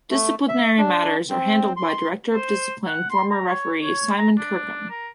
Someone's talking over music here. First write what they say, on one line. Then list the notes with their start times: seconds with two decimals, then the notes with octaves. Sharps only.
Disciplinary matters are handled by Director of Discipline and former referee Simon Kirkham.
0.10 A3
0.48 E5
0.78 D4
1.30 C4
1.76 C6
2.33 C5
2.87 F#5
3.10 C6
3.31 A#5
3.48 C#5
3.82 C#5
4.17 A#5
4.38 D4
4.89 A#4